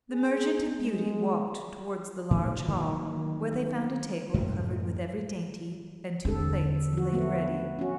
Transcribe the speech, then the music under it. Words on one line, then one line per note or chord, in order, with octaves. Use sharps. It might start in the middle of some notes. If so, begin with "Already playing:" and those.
The merchant and Beauty walked towards the large hall, where they found a table covered with every dainty, and two plates laid ready.
G#4
G#3
A2 D#3
D#3 E3 F#3 A#3
F#2 A2
E2 D3 C4 A4
F3 F#4
A3 B3 F#4
C#4 F#4